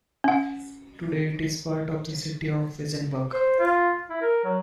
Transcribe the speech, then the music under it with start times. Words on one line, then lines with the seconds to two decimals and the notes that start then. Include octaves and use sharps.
Today it is part of the city of Weissenburg.
0.24 C#4 F#5
3.33 C5
3.59 F4
4.10 E4
4.22 A#4
4.45 F#3